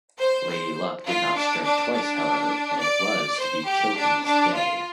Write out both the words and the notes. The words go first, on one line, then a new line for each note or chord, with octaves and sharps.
Lady Luck did not strike twice however and it was to be Kilkenny's day.
C5
C5
F4
D4
D4
D4
D5
C5
G4
D4
D4
F4